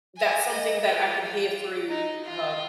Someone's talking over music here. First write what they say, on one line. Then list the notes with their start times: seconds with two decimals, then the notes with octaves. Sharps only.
that's something that I can hear through, um,
0.17 G#5
0.52 D#5
0.87 F4
1.89 D#4
2.25 F4